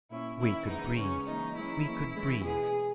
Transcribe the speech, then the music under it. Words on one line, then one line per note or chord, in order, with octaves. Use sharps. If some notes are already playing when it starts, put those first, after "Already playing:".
We could breathe! We could breathe!
A#2 A#3 C#4 E4
D#3 A#3 C#4 E4
C#3 E3 G#3 B3 D#4
C#3 G#3 B3 C#4
E3 A#3 C#4 D#4
E3 G#3 C#4 E4
E3 A#3 C#4
E3 G#3 C#4
B2 G#3 B3 G#4